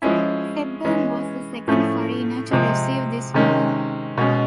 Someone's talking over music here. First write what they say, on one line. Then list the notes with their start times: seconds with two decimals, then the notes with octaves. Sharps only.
Hepburn was the second foreigner to receive this honor.
0.02 F3 G#3 C#4 E4
0.85 E3 G#3 C#4
1.68 A2 F3 A3 C#4
2.51 C3 F3 G#3
3.34 C3 D#3 G#3 C#4
4.18 B2 G#3 C#4